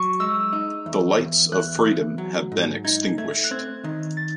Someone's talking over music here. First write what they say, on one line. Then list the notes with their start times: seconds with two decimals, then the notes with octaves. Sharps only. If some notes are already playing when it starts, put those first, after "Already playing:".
The lights of freedom have been extinguished.
Already playing: F#3 C#6
0.20 G#3 E6
0.53 D#4
0.86 E2
1.19 E2
1.52 E2 F#6
1.85 E2
2.18 F#3
2.52 G#2
2.84 D#4 G#6
3.18 A3 G#6
3.44 F#6
3.51 C4 G#6
3.84 D#3
4.17 A6